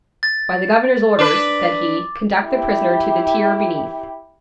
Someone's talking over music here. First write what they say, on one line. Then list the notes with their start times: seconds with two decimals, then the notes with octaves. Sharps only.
"By the governor's orders," said he, "conduct the prisoner to the tier beneath."
0.23 A6
1.19 D4 B4 D6
2.46 E4 G4